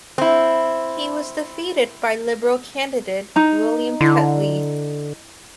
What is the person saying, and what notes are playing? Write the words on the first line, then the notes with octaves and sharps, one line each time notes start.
He was defeated by Liberal candidate William Tetley.
C4 E4
D#4 A#5
D3 E4